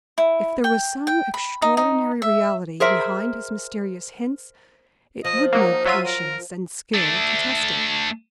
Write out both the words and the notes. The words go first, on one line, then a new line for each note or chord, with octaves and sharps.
If there was some extraordinary, reality behind his mysterious hints, it would need patience and skill to test it.
E4
G5
G5
B5
D#4
D#4
E5
G#4 A#4 C5 E5
F3 D#5
F#3 A#3 D#4
F#3 F4 E5 D#7
A#4
A3 D4